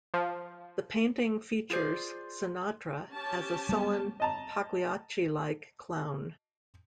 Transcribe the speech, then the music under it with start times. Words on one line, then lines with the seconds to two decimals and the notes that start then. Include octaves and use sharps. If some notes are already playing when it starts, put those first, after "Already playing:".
The painting features Sinatra as a sullen, Pagliacci-like clown.
0.14 F3
1.70 F4 G#4 A4 C5 D5
3.11 C#4 G4 A5
3.69 G3 G#3 B3
4.20 D#5 A5 A#5